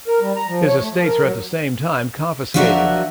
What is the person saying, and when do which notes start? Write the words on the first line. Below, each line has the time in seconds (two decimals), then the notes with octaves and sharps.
His estates were at the same time confiscated.
0.08 A#4
0.21 G3
0.36 A#5
0.48 F3
0.65 C#5
0.81 A3
0.92 F3
1.04 A#4
1.24 F#3
2.54 F3 F#3 D4 F#4 A#4 E5